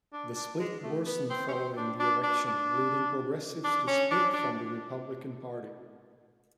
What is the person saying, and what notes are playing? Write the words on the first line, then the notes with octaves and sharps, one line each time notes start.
The split worsened following the election, leading progressives to split from the Republican party.
D4
D4
G#3
A3
B3
C4
C#4
C4
D4
D4
D4
D4
D4
C#4
D4
D4